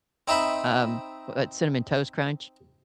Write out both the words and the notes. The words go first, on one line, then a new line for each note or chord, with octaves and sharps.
um, what Cinnamon Toast Crunch.
C4 D#4 E5 B5